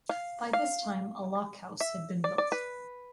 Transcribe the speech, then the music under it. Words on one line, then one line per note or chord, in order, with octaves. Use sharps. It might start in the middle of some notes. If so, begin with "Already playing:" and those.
By this time a lock house had been built.
F5
F5
E5
D5
D5
B4